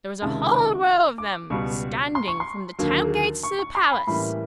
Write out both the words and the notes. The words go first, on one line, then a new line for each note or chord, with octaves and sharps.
There was a whole row of them standing from the town-gates to the palace.
C#2 C3 D#3 G#3 C#4 A5
D6
D6
C#2 B2 G3 C#6
C6
C#6
C6
D#2 D3 F#3 A#3
C#6
C#6
C6
B5
A2 E3 G3 A#3 C#4 B5